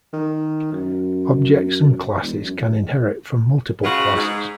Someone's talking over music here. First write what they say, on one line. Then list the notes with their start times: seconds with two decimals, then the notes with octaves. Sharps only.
Objects and classes can inherit from multiple classes.
0.13 D#3
0.72 F#2
2.22 E1
2.44 F#2
3.84 C#3 G#3 F4 F#4 B4
4.15 G#2